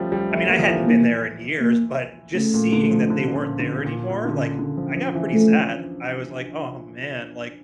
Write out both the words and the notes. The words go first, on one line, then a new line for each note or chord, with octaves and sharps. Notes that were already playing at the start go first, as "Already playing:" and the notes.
I mean, I hadn't been there in years, but just seeing that they weren't there anymore, like, I got pretty sad. I was, like, "Oh, man. Like,
Already playing: F3 G3 A3 C#4
G3
A3
A#3
F3
E3
A#3
A#3
C#3 A3
A#2
D3
F3
D3
C#3
A#2
D3
C#3
A#2
A#2
D3
C#3
D3
F3
F3
E3
A3